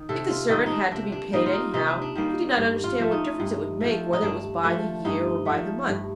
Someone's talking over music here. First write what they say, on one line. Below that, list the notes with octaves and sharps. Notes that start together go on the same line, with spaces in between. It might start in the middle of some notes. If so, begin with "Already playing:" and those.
If the servant had to be paid anyhow, he did not understand what difference it could make whether it was by the year or by the month.
Already playing: D#3
C3 A4
F4
D#3 G3 A#3 D#4
D4 D#4
C3 D4
D4
D#3 G3 A#3 D#4
F4
D#4
C3 D#4
D4
D#3 G3 A#3
G2
F4
F3 A3
D#4
G2
F3 A3
D#4
G2 D4
F3 A3
G2 D#4
F3 A3
G2